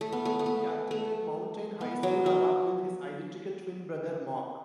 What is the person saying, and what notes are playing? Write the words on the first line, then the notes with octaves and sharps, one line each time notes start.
He attended Mountain High School along with his identical twin brother Mark.
A3
B3
A3
A3
B3
A3
B3
F#3
F#3